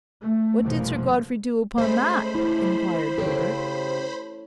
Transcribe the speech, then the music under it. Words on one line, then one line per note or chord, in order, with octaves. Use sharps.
"What did Sir Godfrey do upon that?" inquired Hubert.
A3
F1 G2 B2 E3 F3 A#3
G#3 A3 C#4 C5 B5
E4
C#3 F4 G4 A4 C#5